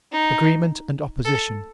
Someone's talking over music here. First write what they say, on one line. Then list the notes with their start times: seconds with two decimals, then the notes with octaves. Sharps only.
Agreement and Opposition.
0.12 D#4
1.24 A4